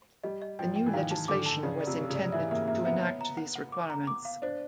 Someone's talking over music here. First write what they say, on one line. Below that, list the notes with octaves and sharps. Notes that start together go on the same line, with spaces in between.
Th new legislation was intended to enact these requirements.
G3 D#5
D#5
F3 G5
G5
E3
D#3 F5
A5
D3 D6
A5
C#3 D5
D5
C3
G4
C#3
D5
E3 E5
A#3 E5
A#3 E5
B3 E5
C#5
A#5
F#5
F#5
D6
A#5
D6
F5
D4 C5